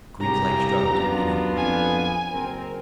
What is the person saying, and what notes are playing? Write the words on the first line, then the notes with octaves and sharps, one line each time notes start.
Greeklike struggles would be no more.
C2 C#3 G4 A#5
F#2 B3 D4 F4
F2 G#5
F#1 C4 A#4